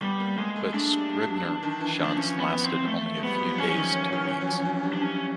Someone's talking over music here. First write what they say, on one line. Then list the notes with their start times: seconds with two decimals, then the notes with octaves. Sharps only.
But Scribner shunts lasted only a few days to weeks.
0.02 G3 B3
0.20 A#3
0.38 G#3 A#3
0.56 A3
0.70 A3
0.74 G#3 D4
0.91 G3
1.10 G3
1.27 F#3
1.45 E3
1.63 D#3
1.81 E3
1.98 F3
2.05 D4
2.17 F3 C#4
2.40 B3
2.64 C4
2.87 A3
3.17 G#3
3.23 G3 B3
3.38 F#3
3.48 F3
3.58 E3 C#4
3.76 D#3
4.12 D#3
4.30 E3
4.41 F#3
4.47 F3
4.65 F#3
4.83 G3
4.93 D4
5.01 C#4